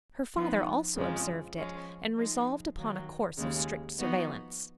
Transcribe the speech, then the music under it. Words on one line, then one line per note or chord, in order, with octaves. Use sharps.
Her father also observed it, and resolved upon a course of strict surveillance.
F3 B3 D#4
F2 C#3 F3 G#3
F3 G#3 C#4
F3 G#3 D#4
D#3 F#3 A#3
D#2 C#3 G#3
F3 B3 D#4 F#4